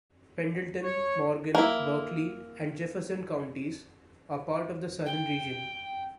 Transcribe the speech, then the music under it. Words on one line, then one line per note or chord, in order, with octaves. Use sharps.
Pendleton, Morgan, Berkeley and Jefferson counties, are part of the Southern Region.
C#5
A#3 E4
G5